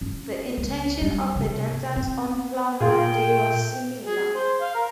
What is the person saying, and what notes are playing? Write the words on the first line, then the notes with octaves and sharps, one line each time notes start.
The intention of the dancers on Plough Monday was similar.
C#4
C#2
G3
G#2 C3
C4
A#2 F4 G#4 G5
G#4
C5
F5
A#4